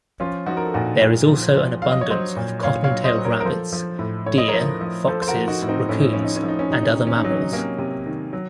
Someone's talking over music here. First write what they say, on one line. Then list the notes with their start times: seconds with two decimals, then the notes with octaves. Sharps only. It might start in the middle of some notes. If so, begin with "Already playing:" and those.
There is also an abundance of cotton-tailed rabbits, deer, foxes, raccoons, and other mammals.
0.20 F3 C#4 F4
0.46 F3 D#4 F#4
0.57 A#4
0.65 A4
0.74 A#2 D#4 F#4
1.01 A#2
1.28 F3
1.56 F3
1.82 F#3 F5
1.92 D#5
2.01 C#5
2.09 F#3 C5 D#5
2.36 A#2
2.63 A#2 C#5 F5
2.84 C#5 F5
2.91 F#3
3.04 C5 D#5
3.18 F#3
3.25 A#4 C#5
3.40 A#4
3.45 F3 A4 C5
3.73 F3
3.99 A2
4.26 A2 C#5
4.38 D#5
4.48 F3 A#4 C#5
4.81 F3
5.08 F3 A4 C5
5.22 C5
5.28 F#4 A#4
5.35 F3
5.48 D#4 F#4
5.62 A2
5.68 C4 D#4
5.89 A2 C#4
6.01 D#4
6.13 F3 C#4
6.25 D#4
6.36 C#4
6.43 F3 D#4
6.59 C#4
6.70 C3 D#4
6.83 C#4
6.95 D#3 D#4
7.07 C#4
7.18 D#4
7.24 F#3
7.30 C#4
7.42 D#4
7.51 C3 A#3 C#4
7.78 C3
8.06 D#3
8.33 F#3